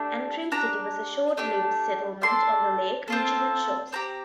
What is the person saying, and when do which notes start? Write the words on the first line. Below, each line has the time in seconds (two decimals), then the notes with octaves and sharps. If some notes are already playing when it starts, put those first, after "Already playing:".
Antrim City was a short-lived settlement on the Lake Michigan shores.
Already playing: A3 D4 G4
0.52 D4 G4 A#5
1.37 A3 D4 G4
2.22 D4 A4 C6
3.08 C4 F4 A4
3.92 C4 G4 A#5